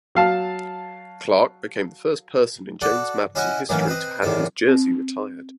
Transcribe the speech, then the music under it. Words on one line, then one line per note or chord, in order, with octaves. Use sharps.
Clark became the first person in James Madison history to have his jersey retired.
F#3 F5 A5
F#4 A4 D5
C#4 E4 F#4 D#5
A2 D#3 E3 F#3 A#3 C#4
C4 B4 D#5
E2 A2 C3 D#3 A4
C4